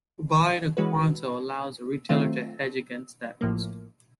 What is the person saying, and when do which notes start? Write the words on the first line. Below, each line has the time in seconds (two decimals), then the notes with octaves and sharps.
Buying a quanto allows the retailer to hedge against that risk.
0.77 E3 G#3 C#4 F#4 B4
2.09 D#3 F#3 A3 C4 F4
3.41 A1 A2 F3 A#3